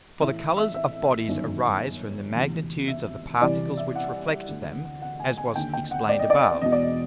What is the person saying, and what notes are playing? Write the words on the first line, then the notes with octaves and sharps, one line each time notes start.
For the Colours of Bodies arise from the Magnitudes of the Particles which reflect them, as was explained above.
A1 A2 E3 E5
E5
E5
G1 F#2 D#3
E1 D2 C3 E3
E5
C2 C3 E3 D5
E5
F#5
D2 D3
F#5
G#5
G#5
D#2 D3 G5
G5
F#5
D5
D#5
D5
D#5
D5
E1 E2 B2 D#5
D5
D#5